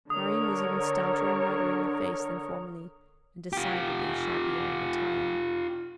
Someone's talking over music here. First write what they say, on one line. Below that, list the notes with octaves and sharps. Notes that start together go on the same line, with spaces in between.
Marian was even stouter and redder in the face than formerly, and decidedly shabbier in attire.
D3 A#4 C#5 D#6
F4 G4